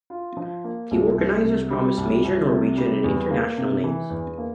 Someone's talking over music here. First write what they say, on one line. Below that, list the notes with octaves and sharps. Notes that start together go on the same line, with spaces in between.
The organizers promise major Norwegian and International names.
F4
F3
A#3
C2
C2
C3
G3
C2
C2
C3
G3
E2
A#3
C3
E3
E2
A#3